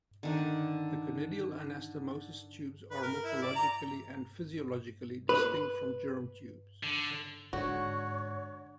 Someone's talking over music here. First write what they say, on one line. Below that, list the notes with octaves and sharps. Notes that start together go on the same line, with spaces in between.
The conidial anastomosis tubes are morphologically and physiologically distinct from germ tubes.
D3 D#3 D4
B4
A#4
E4
D5
A#5
B4
D3
G#2 D3 F#4 C#5